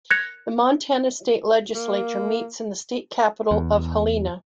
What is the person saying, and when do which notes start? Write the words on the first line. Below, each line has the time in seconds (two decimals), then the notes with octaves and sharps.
The Montana State Legislature meets in the state capital of Helena.
0.11 F#6 G#6 A#6 C#7 F7
1.74 A#3
3.51 E2